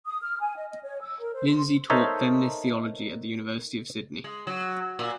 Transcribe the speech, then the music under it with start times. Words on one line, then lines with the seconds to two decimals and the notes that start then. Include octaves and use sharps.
Lindsay taught feminist theology at the University of Sydney.
0.06 D#6
0.22 F6
0.41 G#5
0.57 D#5
0.71 D#5
0.83 C#5
1.01 E6
1.19 A#4
1.35 C5
1.49 C6
1.90 D#4 A4 A#4 C5 C#5 E5
4.24 G#3
4.47 F#3
4.99 A#2